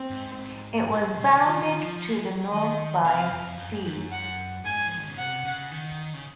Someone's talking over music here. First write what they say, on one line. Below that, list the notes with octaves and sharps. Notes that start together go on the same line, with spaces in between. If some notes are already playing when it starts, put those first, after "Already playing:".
It was bounded to the north by Ste.
Already playing: C4
G#2
A#2
C#3
C#3
D#3 F4
D#3
F3
F3
A#3
G#3
F#3
D#3 D#5
C3 F5
F2
F#2
G#2
F#2
F#5
G#2 G#5
F3
D#3
C#3
C3 F#5
C#3
D#3
C#3